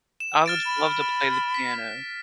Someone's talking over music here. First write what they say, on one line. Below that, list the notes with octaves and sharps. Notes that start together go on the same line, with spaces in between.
I would love to play the piano.
E7
F6 A6 D7
B5
B6